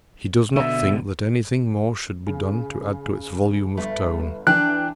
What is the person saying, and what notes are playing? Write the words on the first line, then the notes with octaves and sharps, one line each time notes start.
He does not think that anything more should be done to add to its volume of tone.
B2 D3 E5
C#3
G1 A3
E3 D4 G5 F#6